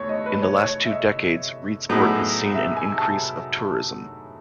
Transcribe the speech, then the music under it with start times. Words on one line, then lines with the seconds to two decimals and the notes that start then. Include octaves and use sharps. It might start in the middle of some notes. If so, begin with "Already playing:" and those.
In the last two decades, Reedsport has seen an increase of tourism.
Already playing: E2 A3 C#5
0.09 D#5
0.26 B4
0.42 C#5
0.58 C#5
0.85 E5
0.91 D#5
1.89 A2 F#3 B3 D#4 G#4
2.54 E5
2.76 G#5
2.98 A5